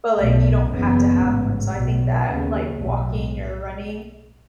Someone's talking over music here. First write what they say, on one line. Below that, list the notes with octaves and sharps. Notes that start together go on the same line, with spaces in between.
but, like, you don't have to have one, so I think that, like, walking or running,
B1 B2 A3
F#1 E2 C#3 B3
A1 G#2
B1 B2
D#2 C#3 B3
B1 A2 A3